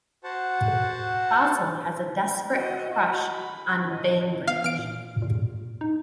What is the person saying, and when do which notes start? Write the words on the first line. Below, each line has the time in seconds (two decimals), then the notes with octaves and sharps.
Fossil has a desperate crush on Bainbridge.
0.24 F#4 C5 F#5 A5
2.54 F#4 D#5
2.90 F#4 D#5
3.30 B5
3.90 D#5
4.47 B3 F5
4.64 E3 F6 D7
4.79 A#2
5.22 A#2
5.81 D#4